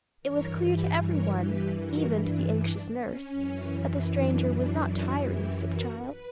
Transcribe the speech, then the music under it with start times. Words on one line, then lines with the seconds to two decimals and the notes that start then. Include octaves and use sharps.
It was clear to every one, even to the anxious nurse, that the stranger was not tiring the sick child.
0.21 G2 E3 A#4 C#5
0.60 G4 B4
0.99 A#4 C#5
1.38 G4 B4
1.76 F#4 A#4
2.15 D4
2.54 D4
2.92 C#4
3.32 F#2 E3
4.08 D4
4.48 D4
4.85 D4 F#4
5.24 E4 G4
5.63 F#4 A#4
6.02 B4